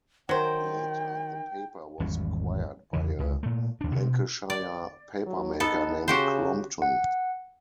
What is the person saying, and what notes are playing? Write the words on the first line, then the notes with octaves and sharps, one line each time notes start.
Later the paper was acquired by a Lancashire papermaker named Crompton.
D#3 F#3 C5 G5
G#1 E2 G3 C#4
E2 C#3 E3
C#2 C#3
A#2 A3
D#2 D4
B2 C4
D5
F#3
B3 D#4 A4
C#3 F#4 G4 C5
F#5